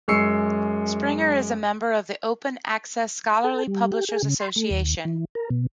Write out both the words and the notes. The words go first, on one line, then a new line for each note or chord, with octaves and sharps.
Springer is a member of the Open Access Scholarly Publishers Association.
F#2 G#3 C#6 E6 C7 C#7
A4
G3
G4
G#4
C#3
C6
A3
D#2
E3
A#4
B2